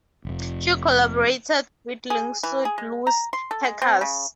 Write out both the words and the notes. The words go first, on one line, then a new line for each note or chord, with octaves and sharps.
She collaborated with linguist Luise Hercus.
F1 F2
G#4
E3
G#4
G#3
A#5
C6
A4
G#3
C4
C#3